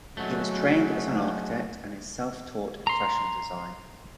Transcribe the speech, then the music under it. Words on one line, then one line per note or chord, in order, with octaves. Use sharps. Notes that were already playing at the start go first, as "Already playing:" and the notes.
He was trained as an architect and is self-taught in fashion design.
F#3 G#3 A3 C#4 F#4
A#5 C6